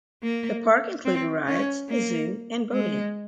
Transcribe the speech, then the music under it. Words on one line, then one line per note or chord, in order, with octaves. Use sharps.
The park included rides, a zoo, and boating.
A#3
C4
C#4
A#3
G#3